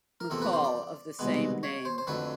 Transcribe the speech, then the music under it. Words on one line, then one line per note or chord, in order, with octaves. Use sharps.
McCall of the same name.
A#4
E2 C3 F3 A#3 A4
B4
C5
D5
C2 B2 G#3 B3
C#5
C5
C5
F2 D3 F#3 A3 B4